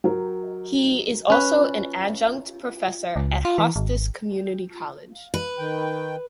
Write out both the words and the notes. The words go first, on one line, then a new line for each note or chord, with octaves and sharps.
He is also an adjunct professor at Hostos Community College.
F#3 A#4
C#4 B4
C#2
F4
E3
G#1
B4
D#3 G5